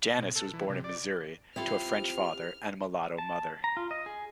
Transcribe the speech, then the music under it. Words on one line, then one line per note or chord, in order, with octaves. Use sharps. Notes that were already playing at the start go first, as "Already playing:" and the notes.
Janis was born in Missouri to a French father and a mulatto mother.
B2
A4
E3
C3
D5
C4 E4 F4 G4 A4 E5 F6
A5
A#5
F4
D#5
G#4